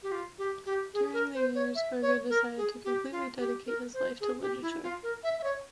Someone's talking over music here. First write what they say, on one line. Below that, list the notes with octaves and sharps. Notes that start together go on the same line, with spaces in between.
During the years Verga decided to completely dedicate his life to literature.
G4
F4
G4
G4
G#4
A#4
C5
C#5
E5
C#5
A#4
G#4
G4
F4
G4
A#4
C5
G#4
G4
E4
F4
A#4
E5
E5
C#5